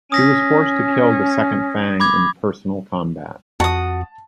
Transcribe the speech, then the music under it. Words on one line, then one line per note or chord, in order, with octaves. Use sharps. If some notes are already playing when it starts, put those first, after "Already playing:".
She was forced to kill the second Fang in personal combat.
C#4 D#6 A#6 B6
B5 D6 G#6
F2 F#4 A5 D#6